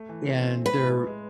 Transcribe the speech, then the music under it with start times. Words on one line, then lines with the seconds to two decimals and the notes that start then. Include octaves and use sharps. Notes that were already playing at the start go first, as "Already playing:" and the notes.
and they're
Already playing: A3
0.09 E3
0.25 C4
0.42 C4
0.57 C4
0.66 B4
0.74 A2
0.90 G#3
1.07 G#3